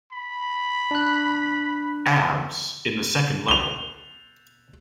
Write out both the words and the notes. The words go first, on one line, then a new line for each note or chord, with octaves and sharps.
Aves in the second level.
B5
D4 F#6
F7 G7